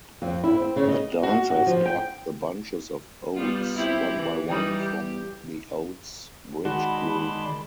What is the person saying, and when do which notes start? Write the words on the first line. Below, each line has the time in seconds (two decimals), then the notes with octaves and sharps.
The dancers pluck the bunches of oats one by one from the Oats Bridegroom.
0.22 F2
0.44 E4
0.56 C4
0.76 C#3
0.88 D#5
1.23 F#4
1.50 F#4
1.67 F3
1.86 G5
3.35 G3 B3 F4
3.75 C4 E4 G4
4.14 E3
4.49 E3 G3 D#4
4.79 G4
6.65 D#3 G#3 F#4 D5 A5 B5 C6